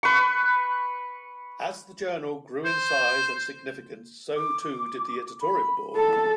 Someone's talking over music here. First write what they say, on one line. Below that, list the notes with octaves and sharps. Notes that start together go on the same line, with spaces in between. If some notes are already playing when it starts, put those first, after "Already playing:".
As the journal grew in size and significance, so too did the Editorial Board.
B4 C#6
C5
D6
B5
A4 A5